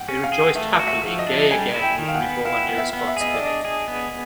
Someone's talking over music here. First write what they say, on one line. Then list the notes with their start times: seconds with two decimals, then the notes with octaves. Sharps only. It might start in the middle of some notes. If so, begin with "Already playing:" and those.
They rejoiced happily, gay again with reborn irresponsibility.
Already playing: F#5 G5
0.09 C#4
0.24 F5
0.32 G#4
0.55 A3 E5
0.79 F#4
0.87 E5
1.04 F3
1.19 D#5
1.27 D4
1.51 G3 G#5
1.74 E4
1.82 G5
1.98 D#3
2.08 F5
2.14 F#5
2.22 B3
2.45 E4 F5
2.69 B3
2.78 E5
2.93 B3
3.08 E5
3.17 G#4 D#5
3.34 D5
3.40 D4
3.46 D#5
3.65 G#4
3.88 B3